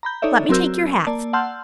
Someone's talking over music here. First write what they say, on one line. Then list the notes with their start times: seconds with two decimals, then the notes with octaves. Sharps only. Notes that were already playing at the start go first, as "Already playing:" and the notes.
Let me take your hats.
0.03 A#5 B5 G6
0.22 D#4 A4 C#5 D5 E5
0.49 F#3 C4 F#4 A#4 E6 G6
1.07 A#3 D5 A5
1.33 F#5 A5 C6 E6 F6 G6